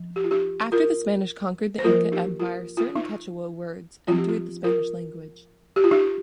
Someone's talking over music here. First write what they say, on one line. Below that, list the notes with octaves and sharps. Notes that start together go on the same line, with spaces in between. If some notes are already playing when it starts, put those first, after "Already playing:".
After the Spanish conquered the Inca Empire certain Quechua words entered the Spanish language.
Already playing: F3
G4
F4
D#4 G4
F4 A#4
C5
F3 A#3 F4 A#4
D#4 G4
F4 A#4
F4
D#4
F3 C4 F4
G4
F4
F4 A#4
G4
F4
D#4 G4